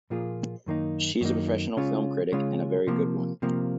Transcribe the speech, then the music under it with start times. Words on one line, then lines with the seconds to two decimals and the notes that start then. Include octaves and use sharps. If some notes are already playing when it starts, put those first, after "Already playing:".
She's a professional film critic, and a very good one.
0.10 A#2 F3 A#3 F4 G#4
0.66 F#2 D#3 A#3 D#4
1.21 F#2 D#3 A#3 D#4
1.77 C#3 G#3 C#4 F4
2.32 C#3 G#3 C#4 F4
2.87 C3 F3 A#3
3.42 C3 F3 A#3